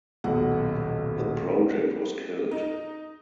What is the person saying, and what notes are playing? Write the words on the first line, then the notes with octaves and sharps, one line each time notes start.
The project was killed.
D#1 B1 B2 F#5
D#4